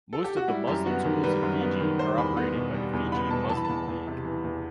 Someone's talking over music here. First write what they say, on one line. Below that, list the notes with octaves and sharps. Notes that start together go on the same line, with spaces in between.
Most of the Muslim schools in Fiji are operated by the Fiji Muslim League.
A4
G4
F#4
G3 E4
F#2 G4
B3 F#4
D#3 G4
G3 B4
F#2
B3
D#3
G3 C5
E2 B5
B3
B2
G3
E2
B3 B5
B2 A5
E3 A5
B5
E2 A5
E2
C3
E3
E2